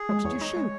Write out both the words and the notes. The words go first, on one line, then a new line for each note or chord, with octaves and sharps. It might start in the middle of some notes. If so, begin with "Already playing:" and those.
'What did you shoot?
Already playing: G#4
G#3
E2 C#5
D#4
G#3